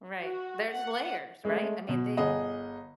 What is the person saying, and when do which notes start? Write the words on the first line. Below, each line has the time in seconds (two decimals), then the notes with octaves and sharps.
Right, there's layers, right, I mean, they,
0.22 F#4
0.70 F#5
1.45 G#3 A3
1.89 B2
2.17 G1 G#4 D#5 F#5